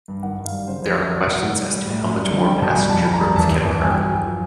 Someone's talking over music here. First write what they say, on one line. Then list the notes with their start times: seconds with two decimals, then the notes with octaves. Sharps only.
There are questions as to how much more passenger growth can occur.
0.08 G2
0.23 D#3 F#5
0.38 F#2
0.45 F5
0.52 G3
0.68 C#3 C5
0.82 F2 C5
0.97 F2 C#5
1.12 F#3 D5
1.27 B2
1.34 F#5
1.42 F#3
1.57 G3
1.72 G3
1.87 A2
2.02 F#2
2.16 G3
2.31 D3
2.46 G3 G5
2.62 B2 A5
2.69 G#5
2.76 G3
2.91 F2 A5
3.05 F2 B5
3.13 A#5
3.21 G3
3.36 E2 A5
3.51 E2
3.66 E2
3.80 G2 G#5
3.91 F#3 G5
4.02 G#5
4.10 F#3
4.26 F3